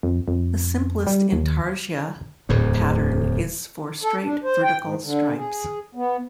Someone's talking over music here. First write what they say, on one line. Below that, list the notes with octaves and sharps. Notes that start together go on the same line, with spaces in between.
The simplest intarsia pattern is for straight vertical stripes.
F2
F2
G3
D#2
D1 E2 A2
A4
D4
C5
G5
G#2
D3
G#4
B3